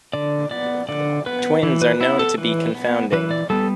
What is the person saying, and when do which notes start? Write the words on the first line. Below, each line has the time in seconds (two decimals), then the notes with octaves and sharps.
Twins are known to be confounding.
0.13 D3 D5
0.51 B3 D5
0.89 D3 D5
1.26 B3 B4
1.63 E3
1.82 B4
2.00 B3 E4
2.19 A4
2.38 E3 B4
2.75 B3
3.12 E3 B4
3.31 D5
3.50 G3 B3 A4